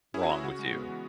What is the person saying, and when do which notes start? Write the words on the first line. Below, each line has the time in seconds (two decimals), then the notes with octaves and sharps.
wrong with you,
0.14 C#4 E4 G#4
0.23 F#4
0.30 C#4 E4
0.44 C#3 F#4
0.59 G#3
0.73 B3
0.89 E3